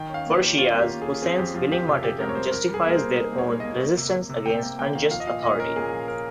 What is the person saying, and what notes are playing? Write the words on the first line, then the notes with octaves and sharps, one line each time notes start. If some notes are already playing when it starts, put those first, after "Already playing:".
For Shias, Husayn's willing martyrdom justifies their own resistance against unjust authority.
Already playing: D#3 G5
C#4
F5
A#3 F4
G4
C#4
C#4 F4
A#3
G4
A#3
C#4 G#4
C4 G#4
F2 G4
F2 F4
F2 G4
C3 F4
C3 G4
C4 A#4
C#5
G3 C5
G3 A#4
G3
G#4
A#3 A#4
C5
A#3
D#4
A#3
C#5
G3
A#3 D#5
A#3
C3
C3
C3
C3 G5
A#3
A#3 G5
D#3 F5
F3 F5
D#5
A#2 F5
A#2 D#5
C#4 A#4
A#2 G#4
F3
C#4 A#4